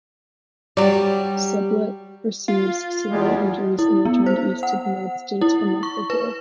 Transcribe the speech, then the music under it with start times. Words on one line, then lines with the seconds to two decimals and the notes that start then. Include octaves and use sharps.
Sublette receives severe injuries and returned east to the United States for medical care.
0.77 F#3 G3 G4 D5
2.48 F4
3.10 E2 G3 G#3
3.79 E4
4.05 B3
4.26 C5
4.63 F#5
5.41 E4
5.83 C#6
6.10 B4